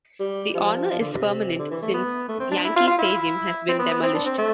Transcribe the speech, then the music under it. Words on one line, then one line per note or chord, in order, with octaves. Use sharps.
The honor is permanent since Yankee Stadium has been demolished.
G3
F3
F3
D3
C3
D3
E3
A3
B3
A3
C4
D4
E4
F4
F4
E4
C4
B3
B3
C4
D4
C4
A3